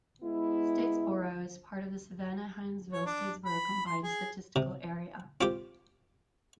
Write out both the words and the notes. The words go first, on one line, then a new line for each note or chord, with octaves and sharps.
Statesboro is part of the Savannah-Hinesville-Statesboro Combined Statistical Area.
G#3 B3 E4
C#5
D4
B5
C6
G#4
C3
C4 F4 G4